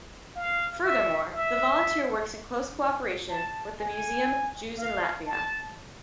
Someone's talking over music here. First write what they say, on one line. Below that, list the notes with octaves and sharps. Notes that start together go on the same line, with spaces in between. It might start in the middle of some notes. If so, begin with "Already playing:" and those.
Furthermore, the volunteer works in close cooperation with the Museum "Jews in Latvia".
F5
E5
E5
A5
G#5
F5
A5